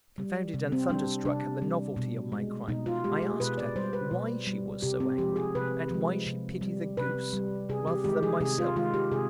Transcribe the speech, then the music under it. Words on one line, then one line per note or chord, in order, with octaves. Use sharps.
Confounded and thunderstruck at the novelty of my crime, I asked her why she was so angry and why she pitied the goose rather than myself.
G3
C3
C4
G3 D4
C3 D4
G3
B2
G#3
B2 D#4
F4
G#3 G4
G#4
B2 B4
D5
G3 C5
B4
B2
G3
C3 G4
C4
F3 G#3 G4
G#4
C3 B4
F3 G#3
C3
G3
C3 B4
G3
C3 G#4
G4
D#3 G#3 G4
G#4
C3 G#4
F4
D#3 G#3 F4
G4
C3 G#4